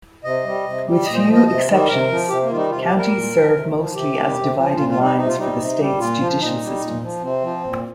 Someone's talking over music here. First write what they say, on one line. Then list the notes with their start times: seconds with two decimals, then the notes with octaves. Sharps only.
With few exceptions, counties serve mostly as dividing lines for the states' judicial systems.
0.24 C3 D#5
0.44 G3
0.65 C3
0.85 G3
1.06 A#2 D#5
1.15 C5
1.19 D#5
1.27 F3
1.33 D#5
1.47 C3 D#5
1.67 D#3 G3
1.88 C3 A#4
2.09 F3
2.29 C3 G4
2.43 A#3
2.50 D#3 F4
2.54 G3 D#4
2.70 C3 F4
2.84 G4
2.91 G3
2.97 A#4
3.11 A#2
3.32 F3
3.52 C3
3.73 F3
3.94 C3 G4
4.14 D#3 G3
4.35 C3
4.55 F3
4.76 A#2 F4
4.89 F4
4.96 G3
5.03 D#4
5.17 C3 D#4
5.27 F4
5.37 G3 D#4
5.58 C3
5.79 G3
5.99 A#2 F4
6.19 F3
6.40 A#2 D#4
6.61 G3
6.81 A#2
7.02 F3
7.22 C3 C4
7.43 F3
7.63 A#2